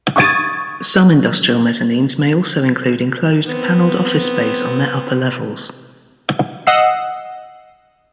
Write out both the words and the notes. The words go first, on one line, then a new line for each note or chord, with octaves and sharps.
Some industrial mezzanines may also include enclosed, paneled office space on their upper levels.
C#6 D#6 G#6 A6 D#7
B3 C4
D#5 F#5 E6 C7